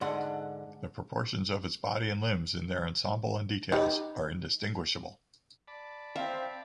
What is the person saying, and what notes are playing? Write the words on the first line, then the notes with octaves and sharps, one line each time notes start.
The proportions of its body and limbs in their ensemble and details, are indistinguishable.
G#2 D3 F#5 C6
D#4 G4 B4
D5 A5 B5
C4 E5 F5